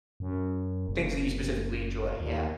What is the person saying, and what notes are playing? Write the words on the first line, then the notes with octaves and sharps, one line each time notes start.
Things that you specifically enjoy, yeah.
F#2
F#1
D#2